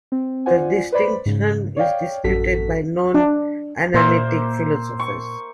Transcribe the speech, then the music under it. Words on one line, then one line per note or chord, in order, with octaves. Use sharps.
The distinction is disputed by non-analytic philosophers.
C4
F4 C5 D5 F#5 G#5
B4 C5 D5 B5
G#2 C#3
C#5 D5 F5 G5
A1 F#2 F#4 A4 B6
D4
A#2 A#3 C5 E5
C#6